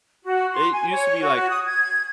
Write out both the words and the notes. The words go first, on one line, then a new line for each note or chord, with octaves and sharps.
it used to be like,
F#4
C6
G#5
C#5
F#4
F#4
D#6
G#6